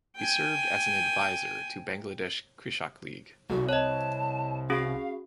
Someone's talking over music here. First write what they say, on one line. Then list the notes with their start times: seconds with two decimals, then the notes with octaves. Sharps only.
He served as an advisor to Bangladesh Krishak League.
0.16 G5 G#5
3.49 C2 F#4
3.69 C#5 D#5 A5
4.70 C#4 F#4 G#4 F5